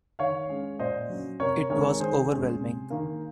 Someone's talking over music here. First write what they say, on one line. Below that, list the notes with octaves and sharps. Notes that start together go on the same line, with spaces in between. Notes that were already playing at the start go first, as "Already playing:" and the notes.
It was overwhelming.
D#3 C#5 F5
G#3 C#4
A#2 C5 D#5
F#3 C#4
C3 A#4 C#5
D#3 G#3 C4 A#4 C#5
D#3 G#4 C5
G#3 C#4
C3
D#3 A#3